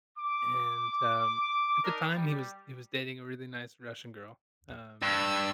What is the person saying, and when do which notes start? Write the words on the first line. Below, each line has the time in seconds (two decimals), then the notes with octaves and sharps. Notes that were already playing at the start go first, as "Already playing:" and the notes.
And, um, at the time, he was he was dating a really nice Russian girl, um,
0.18 D6
1.84 D4 D#4 A#4
2.16 G3
5.02 G2 E6